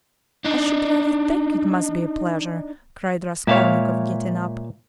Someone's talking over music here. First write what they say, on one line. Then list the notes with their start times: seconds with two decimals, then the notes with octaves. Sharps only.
"I should rather think it must be a pleasure!" cried Raskolnikov, getting up.
0.45 D4 D#4
3.47 A#2 G#3 C#5 E5 F5